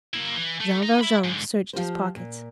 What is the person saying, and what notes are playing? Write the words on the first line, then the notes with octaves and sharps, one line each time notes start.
Jean Valjean searched his pockets.
A#3 E4
E3
A3
D#5 A#5
E5 B5
G#2 D3
F3 F4 G4 C5
A#2